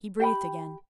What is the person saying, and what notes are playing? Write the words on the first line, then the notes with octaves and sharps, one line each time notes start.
He breathed again.
G4 G5 B5